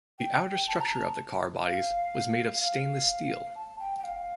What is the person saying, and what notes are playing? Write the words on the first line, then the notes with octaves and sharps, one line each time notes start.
The outer structure of the car bodies was made of stainless steel.
G5
A5
A#5
A5
F5
F5
A5
G5
G5
F5